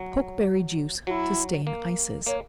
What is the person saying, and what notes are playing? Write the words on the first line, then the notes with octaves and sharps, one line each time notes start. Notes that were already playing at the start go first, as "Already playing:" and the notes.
Pokeberry Juice to Stain Ices.
Already playing: F#3
F#3 E4 F#4
A#3
A#3 C#5